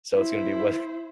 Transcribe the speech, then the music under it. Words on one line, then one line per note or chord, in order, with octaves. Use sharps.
so it's gonna be wha
E4 C5